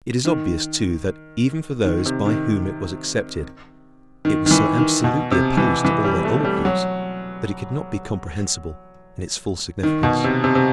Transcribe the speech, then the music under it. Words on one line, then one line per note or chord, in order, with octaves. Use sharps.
It is obvious, too, that even for those by whom it was accepted, it was so absolutely opposed to all their old views that it could not be comprehensible in its full significance.
D#3
D#3
C3
D#3
D#3
D#3
E3
D#3
B2
C3
E3
E3
G3
A3
G3
F#3
D#3
B2
C3
C3
C3